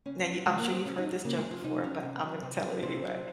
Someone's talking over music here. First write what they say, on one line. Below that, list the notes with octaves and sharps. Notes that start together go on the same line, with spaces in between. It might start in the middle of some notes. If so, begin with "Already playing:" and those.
now you I'm sure you've heard this joke before, but I'm gonna tell it anyway.
C#3 C#4
C4
F#3
C4
C#3 G#3
A#3
F#3
C4
C#3 C#4
D#4
F#3
F4
C#3 A#3
G#3
F#3
F4
C3 D#4
F#3 C#4
C3
F#3
C3
F#3
C3 C4
F#3